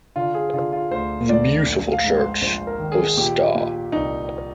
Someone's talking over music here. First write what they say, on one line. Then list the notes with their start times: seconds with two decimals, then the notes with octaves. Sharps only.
The beautiful church of Sta.
0.16 D3 F4
0.35 G#4
0.53 D3 F4
0.73 F4
0.91 D2 C5
1.29 D2 D5
1.66 A#1
1.92 F5
2.04 G#2
2.17 C5
2.42 A#1 C5
2.67 A#4
2.79 D#3
2.92 G#4
3.17 A#2 G4
3.55 A#2
3.92 C2 D#4